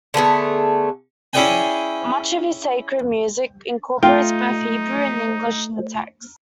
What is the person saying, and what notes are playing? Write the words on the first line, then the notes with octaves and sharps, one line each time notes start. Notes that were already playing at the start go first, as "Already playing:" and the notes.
Much of his sacred music incorporates both Hebrew and English in the text.
D3 A3 B3 G#4
C#4 E4 G#4 D5 G5 G#5
A3 D#4 F4 G5